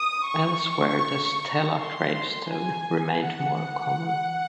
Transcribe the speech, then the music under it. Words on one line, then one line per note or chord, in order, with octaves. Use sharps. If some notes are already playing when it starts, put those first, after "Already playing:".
Elsewhere the stela gravestone remained more common.
Already playing: D#6
C#6
C6
G#5
F#5